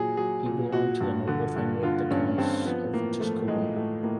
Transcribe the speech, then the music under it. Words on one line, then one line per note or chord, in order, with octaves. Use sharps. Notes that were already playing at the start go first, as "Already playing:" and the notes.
He belonged to the noble family of the Counts of Tusculum.
Already playing: A#2 F#3 G#4
F#3 G#4
A#2
A#2 F#4
G2
D3
G2
D3 F4
G2 C#4
G2 C4
F3 B3
A2 A#3
F3 A3
A2 G#3
A2 A3
A2 A#3